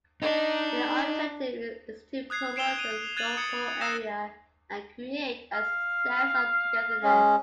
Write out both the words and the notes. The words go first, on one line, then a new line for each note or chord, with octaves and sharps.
Their objective is to promote the local area and create 'a sense of togetherness'.
D4 D#4
D#6 F#6 G#6 C7
C7 D7 E7 F7 G7
D#7 F7
F#6 G#6 A6 D#7 F7 F#7
D#6 G#6 C#7
D#6 E6 F#6 G6 A#6 E7
F5
G#3 C#4